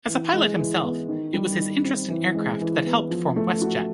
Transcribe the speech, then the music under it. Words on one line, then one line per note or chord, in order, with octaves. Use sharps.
As a pilot himself, it was his interest in aircraft that helped form WestJet.
E3
G#3
E3
B3
D#3
G3
D#3
C4
E3
G#3
E3
B3
F3
A3
F#4